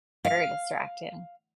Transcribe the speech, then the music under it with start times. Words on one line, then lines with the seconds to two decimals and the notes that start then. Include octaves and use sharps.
Very distracting.
0.25 F5